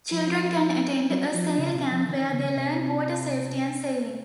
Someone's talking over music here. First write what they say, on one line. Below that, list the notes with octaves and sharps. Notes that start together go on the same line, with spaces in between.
Children can attend a Sail Camp where they learn water safety and sailing.
F3
F#3
F3
C#3
C3
F3
D#3
C#3
C3